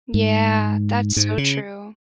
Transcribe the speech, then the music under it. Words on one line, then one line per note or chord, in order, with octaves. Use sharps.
Yeah, that's so true.
G#2
G#2
C#3